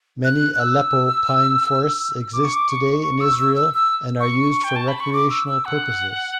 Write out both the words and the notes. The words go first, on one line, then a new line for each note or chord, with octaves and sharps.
Many Aleppo pine forests exist today in Israel and are used for recreational purposes.
F#6
F#6
E6
D6
C#6
D6
C#6
C#6
E6
E6
E6
E6
C#6
C#6
G5
A5
B5
C#6
D6
E6
E6
F#5